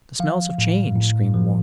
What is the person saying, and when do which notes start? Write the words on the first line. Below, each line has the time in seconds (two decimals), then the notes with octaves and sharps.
"The smells have changed," screamed Mor.
0.19 F3 F5
0.58 A2
0.96 A2
1.34 F3